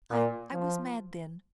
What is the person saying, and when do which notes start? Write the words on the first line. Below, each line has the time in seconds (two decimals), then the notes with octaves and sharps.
I--I was mad then.
0.11 A#2
0.53 F3